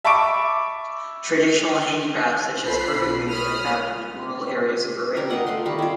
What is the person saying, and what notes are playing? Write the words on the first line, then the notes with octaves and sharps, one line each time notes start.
Traditional handicrafts such as carpet-weaving are found in rural areas of Arabia.
E5 A5 B5 C#6 D6 D7
B1 F4 A4 C5 B5 C7
C#5 B5 D#6 F6
G3 G4 A#4
A#4 D#5 F#5
A3 F4 C6
D#3 G3 B5 C#6
E4 F4